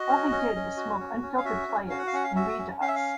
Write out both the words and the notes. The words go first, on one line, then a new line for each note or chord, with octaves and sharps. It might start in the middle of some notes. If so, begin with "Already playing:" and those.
All he did was smoke unfiltered Player's and read to us.
Already playing: F#4 D#5
C#4
C#4
C#4
F#4
C#4
C#4
F5
F#4 E5
C#4
F#4 F5
F#5
F5
C#4 F#5
F5
F#4 E5
C#4
C#4 F5
E5
F5